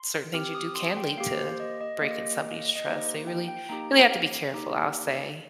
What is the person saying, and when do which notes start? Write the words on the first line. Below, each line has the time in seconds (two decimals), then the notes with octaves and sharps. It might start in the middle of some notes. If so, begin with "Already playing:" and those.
certain things you do can lead to breaking somebody's trust, so, you really really have to be careful, I'll say.
Already playing: C6
0.34 C4 G4 F6
0.55 D#6
0.75 C6
0.97 G5
1.18 A#3 G4 F5
1.38 C5
1.60 D#5
1.81 D#5
2.01 A#3 G4 D#5
2.76 D#5
2.85 A#3 D#4 G4 C5
3.27 G5
3.48 G5
3.69 A#3 D#4 G4 A#5
4.11 F5
4.53 A#3 D#4 G4